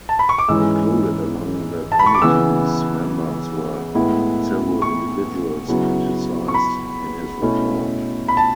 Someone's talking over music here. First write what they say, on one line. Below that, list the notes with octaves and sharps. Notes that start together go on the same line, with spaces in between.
Included among the committee's members were several individuals criticised in his report.
A5
B5
C#6
D6
G#2 E3 G#3 C#4 E4 E6
A5
B5
C#6
D6
C#3 E3 B3 E4 E6
A2 G#3 B3 E4
C#6
C#3 F#3 B3 E4
C#6
B5
B2 A3 C#4 E4
B5
A5